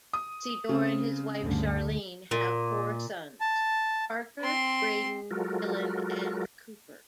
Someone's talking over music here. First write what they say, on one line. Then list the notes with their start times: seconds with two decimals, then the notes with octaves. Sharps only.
Sydor and his wife Sharlene have four sons: Parker, Braden, Dylan and Cooper.
0.13 D#6
0.69 C#3 C4
1.41 D2 G2 D3
2.31 A#2
3.41 A5
4.41 C4 C6
5.31 F#3 G#3 F4 F#4 A4 A#4